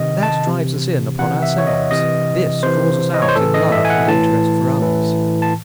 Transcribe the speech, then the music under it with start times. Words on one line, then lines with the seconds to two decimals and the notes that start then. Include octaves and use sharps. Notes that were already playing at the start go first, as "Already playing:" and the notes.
That drives us in upon ourselves; this draws us out in love and interest for others.
Already playing: C3 D#3 D#5
0.23 A5
0.47 C3 E3
1.19 C3 E3 F#5
1.42 E5
1.58 C#5
1.67 D#5
1.91 C3 E3 D#5
2.63 C3 E3 C5
3.14 D#5
3.22 C#5
3.29 C5
3.35 A2 E3 A4
3.54 D#5
3.72 E5
3.85 G#5
3.90 F#5
4.08 A2 E3 A5
4.80 A2 E3
5.42 A5